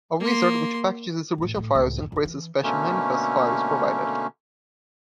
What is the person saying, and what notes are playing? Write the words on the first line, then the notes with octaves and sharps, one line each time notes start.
A wizard which packages distribution files and creates the special "manifest" file is provided.
A#3 C6
E2 A2
A2 D3
C#2 A2
F#2
F2 E3
E3
B2 D3 A3 A#3 C#4